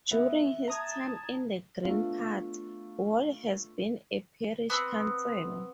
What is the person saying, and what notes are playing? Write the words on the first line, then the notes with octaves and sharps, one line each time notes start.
During his time in the Green Party, Wall has been a Parish Councillor.
B3 E5
A5 A#5 D#6 G#6
A3 B3 D4 F4
B3 C4